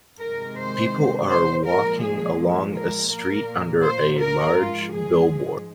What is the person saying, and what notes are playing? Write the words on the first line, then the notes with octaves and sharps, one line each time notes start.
People are walking along a street under a large billboard.
C3 D#3 G#3 A#4
C5
C5
A#2 F3 G#3 A#4
G#4
A#4
A#2 A#3 A#4
C5
A#4
G#2 F3 G#3 F4
G#4